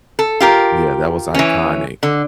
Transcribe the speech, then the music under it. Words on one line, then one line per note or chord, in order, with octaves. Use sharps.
Yeah, that was iconic.
A4
F4 G4 A#4
E3 C#4
D3